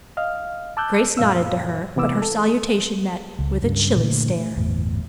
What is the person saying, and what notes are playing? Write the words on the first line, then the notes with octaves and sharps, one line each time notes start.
Grace nodded to her, but her salutation met with a chilly stare.
D#5 F5 F6
A5 D6 E6 F#6 G6
F#2 A#2 F5 E6
C3 E3 B3 D6 E6
A4
C#2
G2 C#3
A#2 D3 A3
A3
G1 E2 A2